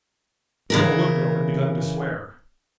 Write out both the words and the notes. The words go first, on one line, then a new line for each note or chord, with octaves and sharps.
Colonel Woodville had begun to swear.
C#3 E3 A#4